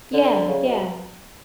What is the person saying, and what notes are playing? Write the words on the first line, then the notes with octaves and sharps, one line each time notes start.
Yeah, yeah.
D3
C#3
B2